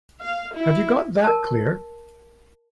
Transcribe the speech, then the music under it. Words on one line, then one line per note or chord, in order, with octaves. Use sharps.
Have you got that clear?
F5
E4
A#4 A5